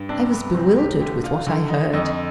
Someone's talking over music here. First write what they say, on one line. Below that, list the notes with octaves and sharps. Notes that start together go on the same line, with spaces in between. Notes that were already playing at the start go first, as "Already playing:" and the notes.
I was bewildered with what I heard.
Already playing: G2
C3 D4
B3
C2 C4
G4
D3 G4
F4
D3
D#4
F2 D#4